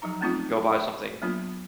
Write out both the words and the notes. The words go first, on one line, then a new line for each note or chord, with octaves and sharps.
go buy something,
F3 F#3 D#4 A#5
G#3 A3 C4 C#4 D#4 F4
F#3 A#3 B3 D4 F4